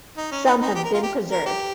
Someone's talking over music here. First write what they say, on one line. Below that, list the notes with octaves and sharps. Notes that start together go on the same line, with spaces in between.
Some have been preserved.
D#4
C#4
D#4
D#4
G4
A#4
F4
G4
A#4
G4